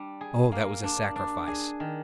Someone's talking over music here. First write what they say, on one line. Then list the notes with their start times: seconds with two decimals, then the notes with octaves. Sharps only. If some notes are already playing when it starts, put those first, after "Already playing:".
Oh, that was a sacrifice!
Already playing: G3 D4
0.21 G#4
0.52 A#3
0.84 D4
1.16 D4
1.47 G#4
1.80 D#3